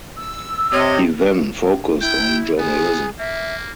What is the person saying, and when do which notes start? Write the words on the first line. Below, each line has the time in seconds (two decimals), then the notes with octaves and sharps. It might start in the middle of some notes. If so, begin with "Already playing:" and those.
He then focused on journalism.
0.18 E6
0.72 C3 C#5 D#5
2.01 E4 G5
2.58 B3 G#4
3.19 A#3 E5